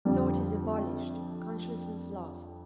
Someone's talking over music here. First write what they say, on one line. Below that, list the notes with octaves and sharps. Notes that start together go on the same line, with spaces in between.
Thought is abolished, consciousness lost.
F2 D3 G3